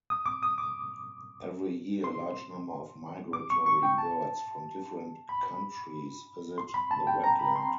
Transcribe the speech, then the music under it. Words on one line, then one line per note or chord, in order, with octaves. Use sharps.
Every year large number of migratory birds from different countries visit the wetland.
D#6
D6
D#6
D6
C6
D6
C#6
C#6
G5
A5
B5
C6
B5
A5
G5
A#5
B5
C6